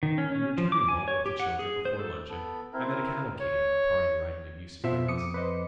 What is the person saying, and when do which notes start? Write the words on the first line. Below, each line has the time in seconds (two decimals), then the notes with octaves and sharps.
When returning home with the children before luncheon, I met a cavalcade of our party riding to view some ruins.
0.03 D#3
0.18 C#4
0.32 C#4
0.58 F3
0.72 D6
0.89 G#5
1.08 C#5
1.26 G4
1.40 F#5
1.59 G#4
1.85 C5
1.99 A4
2.30 B3 A4
2.73 C4 E4 A#4
3.40 C#5
4.84 B2 F4 C5 E5
5.08 F2 D6 D#6 C#7
5.34 B4 C5 D#5